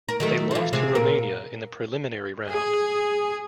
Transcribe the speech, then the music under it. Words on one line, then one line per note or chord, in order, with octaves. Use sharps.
They lost to Romania in the preliminary round.
A#4
D#3 F#3 A3
E3 F3
C3 G#3 C4
A#2 A#4
G#4